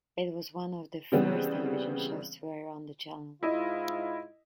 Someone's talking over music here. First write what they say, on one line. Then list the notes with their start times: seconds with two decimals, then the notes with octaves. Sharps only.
It was one of the first television shows to air on the channel.
1.12 C#3 E3 G3 B3 C4
3.43 G#2 E4 F4 D#5